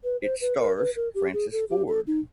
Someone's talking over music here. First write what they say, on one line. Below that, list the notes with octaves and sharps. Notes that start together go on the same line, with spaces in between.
It stars Francis Ford.
B4
C5
B4
A#4
B4
A#4
G4
G#4
A4
G4
A4
D#4